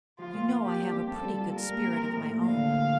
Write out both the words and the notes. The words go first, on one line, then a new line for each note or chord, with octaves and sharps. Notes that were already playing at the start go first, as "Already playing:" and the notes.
You know I have a pretty good spirit of my own.
F3 F4
A#2
C4
F3 G4
G2
C4
C4 A4
G3
F4
G3 A#4
A#2
C4
F3
A2
A#3
D3 F5
D2
F3